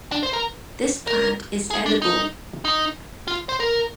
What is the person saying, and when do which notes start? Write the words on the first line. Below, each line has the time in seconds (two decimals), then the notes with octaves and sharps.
This plant is edible.
0.12 D4
0.23 C5
0.33 A#4
1.07 A#4
1.70 G#4
1.86 D4
2.02 D#4
2.65 D#4
3.28 F4
3.49 C5
3.60 A#4